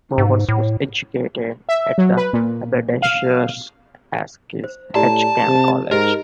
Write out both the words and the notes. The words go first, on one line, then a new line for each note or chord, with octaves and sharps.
Bowes was educated at Haberdashers' Aske's Hatcham College.
G#2
A2
E5
F#3
B4
A#2
F5
C5
A2 G4 D5 A5 A#5
C3
G#2 D#4 G4 A#4 D#5